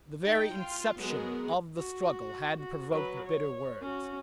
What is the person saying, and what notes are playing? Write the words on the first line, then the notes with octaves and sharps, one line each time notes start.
The very inception of the struggle had provoked bitter words.
D#4 G5
F4
F#3 G#3 B3 G#4 A#4
F#4
F#4
F#3 B4
C#5
C#4 F#4